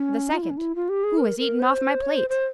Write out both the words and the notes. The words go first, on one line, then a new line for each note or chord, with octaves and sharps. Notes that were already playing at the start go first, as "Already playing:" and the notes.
The second, "Who has eaten off my plate?"
Already playing: C#4
F4
E4
C#4
E4
F4
G4
G#4
A#4
A#4
C5
C#5
C5
C5